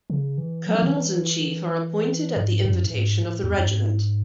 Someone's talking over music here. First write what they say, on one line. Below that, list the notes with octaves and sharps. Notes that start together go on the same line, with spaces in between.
Colonels-in-Chief are appointed at the invitation of the regiment.
C#3
E3
F#3
E3
D#3
E3
G#2
F#2
A2
G#2
A2
E2
F#2
G#2